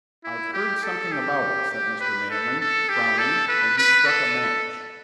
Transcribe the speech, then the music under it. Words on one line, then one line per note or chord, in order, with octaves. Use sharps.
"I've heard something about it," said Mr. Manley, frowning, and he struck a match.
E4
G4
A4
G4
G4
B4
A4
A4
G4
A4
B4
B4
A4